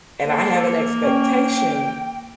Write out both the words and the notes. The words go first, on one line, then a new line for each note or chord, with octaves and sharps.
and I have an expectation
A#3 A4 C5
C#4 G5